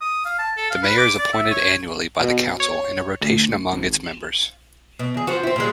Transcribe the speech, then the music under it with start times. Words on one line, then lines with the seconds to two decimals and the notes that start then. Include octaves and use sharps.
The Mayor is appointed annually by the Council in a rotation among its members.
0.01 D#6
0.25 F5
0.39 A5
0.57 A4
0.70 F5
0.83 B4
0.98 D6
1.19 D5
1.33 E5
1.51 C#5
2.20 B2
2.60 C#5
3.21 D2
3.73 G#1
4.99 B2
5.14 E2 G#4
5.27 F3 C4 F#4
5.43 C4 E4
5.56 A#2 G3 G#3